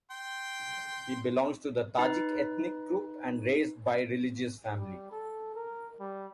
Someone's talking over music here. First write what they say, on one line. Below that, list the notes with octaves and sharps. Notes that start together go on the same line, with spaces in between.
He belongs to the Tajik ethnic group and raised by religious family.
G5 C6
D#4 B4
G3
A4
A#4
G3